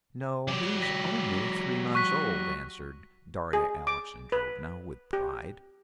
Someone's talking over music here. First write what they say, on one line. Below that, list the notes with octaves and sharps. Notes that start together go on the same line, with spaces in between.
"No; he's only three months old," answered Darya Alexandrovna with pride.
F#3 G4
A#6 B6
C#6 F#6 B6
G#4
D6
B4
G4